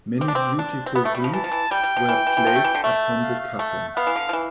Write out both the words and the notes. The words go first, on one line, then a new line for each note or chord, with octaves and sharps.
Many beautiful wreaths were placed upon the coffin.
C4 D6
D4
C4
D4
C4
B3 B5
A3
G3
F3
E3 A5
F3
E3
G3 G5
G3
F3
E3
E3
E3
F3
A3
E3
D3
A3 E5
F5
A3
B3 F5
E3
D3
F3
E3